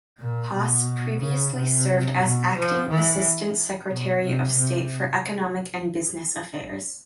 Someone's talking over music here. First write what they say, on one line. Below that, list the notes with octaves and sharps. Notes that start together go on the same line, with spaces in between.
Haas previously served as acting assistant secretary of state for economic and business affairs.
A#2
B2
C#3
C3
B2
F3
E3
B2
C3
C3